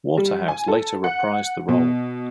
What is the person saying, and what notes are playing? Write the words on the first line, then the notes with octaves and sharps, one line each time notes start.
Waterhouse later reprised the role.
G3
G#5
A4
F#5
B2